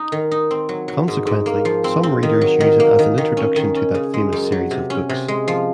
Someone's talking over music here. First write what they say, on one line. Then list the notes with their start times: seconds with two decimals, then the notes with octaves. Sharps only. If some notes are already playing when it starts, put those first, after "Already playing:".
Consequently, some readers use it as an introduction to that famous series of books.
Already playing: D#4
0.12 D#3
0.31 D#4
0.51 C4
0.69 F#3
0.88 F#3
1.08 G#2
1.27 G#2
1.46 A#3
1.65 F3
1.84 C4
2.03 C4
2.23 D#3
2.41 F#3
2.60 D#3
2.80 A#3
2.99 D#3
3.18 D#3
3.37 C#4
3.56 D#3
3.75 C#4
3.95 C#3
4.14 G#3
4.33 F#2
4.52 F#3
4.71 C3
4.90 C#4
5.09 C3
5.28 G#3
5.48 F3